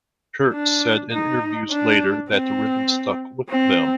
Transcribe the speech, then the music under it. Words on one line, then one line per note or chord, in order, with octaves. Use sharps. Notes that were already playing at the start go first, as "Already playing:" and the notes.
Peart said in interviews later that the rhythm stuck with them.
D4
D#4
D4
C4
C4